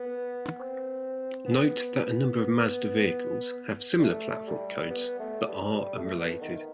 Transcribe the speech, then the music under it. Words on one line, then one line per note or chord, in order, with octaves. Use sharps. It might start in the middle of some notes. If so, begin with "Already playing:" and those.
Note that a number of Mazda vehicles have similar platform codes but are unrelated.
Already playing: B3
C4
B3
G3
A3
G3
B3
A3
G3
G3
A3
B3
D#3